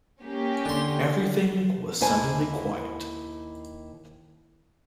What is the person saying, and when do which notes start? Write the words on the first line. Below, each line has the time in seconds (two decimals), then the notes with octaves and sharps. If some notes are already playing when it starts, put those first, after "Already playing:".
Everything was suddenly quiet.
0.22 A#3 C#4 G4
0.65 D3 C6
2.01 D#2 E4 C5 G#5 A5